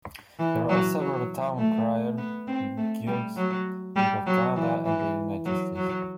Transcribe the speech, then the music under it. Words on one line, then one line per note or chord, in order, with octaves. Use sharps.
There are several town crier guilds in both Canada and the United States.
E3
F#3
F#3
A3
B3
C4
A3
G3
F#3
G3
F#3
E3
E3
F#3
F#3